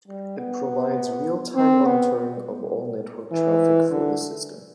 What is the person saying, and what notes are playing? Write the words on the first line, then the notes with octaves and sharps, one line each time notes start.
It provides real-time monitoring of all network traffic for the system.
G3
B3
C4
B3
E3
D3